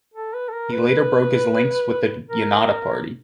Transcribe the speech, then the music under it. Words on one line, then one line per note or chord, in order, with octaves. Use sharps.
He later broke his links with the Janata Party.
A4
B4
A4
A#4
B4
A#4